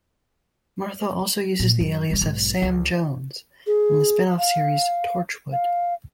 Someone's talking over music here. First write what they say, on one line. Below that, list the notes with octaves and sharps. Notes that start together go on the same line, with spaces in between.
Martha also uses the alias of "Sam Jones" in the spin-off series "Torchwood".
A#2
F#2
C#3 G3
B1 G#2
C#2
G#4
F5
F5